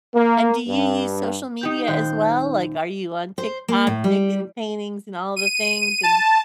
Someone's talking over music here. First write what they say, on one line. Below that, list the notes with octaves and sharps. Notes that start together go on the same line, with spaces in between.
And do you use social media as well? Like, are you on TikTok making paintings and all the things and
A#3
G2
D#4 G4 G6
D#1 C5 G5 F#6
C5
A#3
A2
G3
D#7
A5